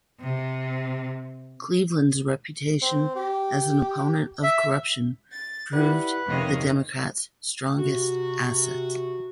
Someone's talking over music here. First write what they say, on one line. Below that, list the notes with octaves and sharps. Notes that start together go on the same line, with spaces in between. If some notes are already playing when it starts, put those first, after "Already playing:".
Cleveland's reputation as an opponent of corruption proved the Democrats' strongest asset.
C3
C4
G4
E5
A6
E4 G4 B4 D5 F#5
F2 C3 D#3 C#5 D#5 F5
C3 F#4